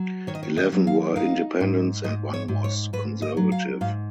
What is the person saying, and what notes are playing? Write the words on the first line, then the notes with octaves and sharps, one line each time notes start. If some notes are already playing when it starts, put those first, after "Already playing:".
Eleven were Independents and one was Conservative.
Already playing: F#3
D#3 C#5
D#5
C#5
D#5
F#3
F5
D#4 F5
G#2
G#2 D#5
C#5
G#2
C#5
G#2 B4
D#5
F#3
F5
G#2 F5